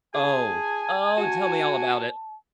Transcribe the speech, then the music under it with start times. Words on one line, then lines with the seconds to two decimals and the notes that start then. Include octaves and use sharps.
Oh. Oh, tell me all about it!
0.14 G#4 G#5 A5
1.18 F#4